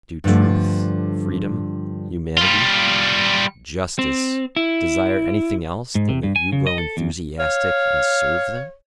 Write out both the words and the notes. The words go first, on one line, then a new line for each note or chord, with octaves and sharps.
Do truth, freedom, humanity, justice, desire anything else than that you grow enthusiastic and serve them?
G2 D3 F3 A3
G3 F4
C4
E4
G#2
C3
G2
G#5
C#3
D#5
A4
E2
C#5 F5